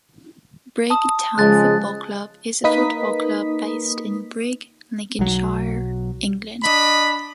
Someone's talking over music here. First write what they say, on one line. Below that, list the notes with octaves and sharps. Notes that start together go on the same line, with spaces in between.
Brigg Town Football Club is a football club based in Brigg, Lincolnshire, England.
A5 D#6
C#3 F3 G#3 F#6 A6
A#3 D#4 A#4 B4 D#6 B6
B1 F#3
D4 D#5 B5